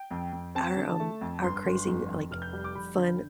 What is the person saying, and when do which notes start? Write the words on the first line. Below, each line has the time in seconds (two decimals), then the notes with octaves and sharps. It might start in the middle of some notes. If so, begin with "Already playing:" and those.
our, um, our crazy like fun
Already playing: G5
0.11 F2
0.33 F2
0.55 C4 A5
0.77 D3
1.00 A3
1.21 F2
1.43 G1 C6
1.65 G1
1.87 F2
2.09 F2
2.31 F1 F6
2.42 G6
2.53 G3
2.64 D6
2.75 F1 B5
2.97 D3